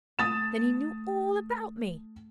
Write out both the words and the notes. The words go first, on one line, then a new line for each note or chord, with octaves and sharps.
Then he knew all about me!
A3 D#6 A6 E7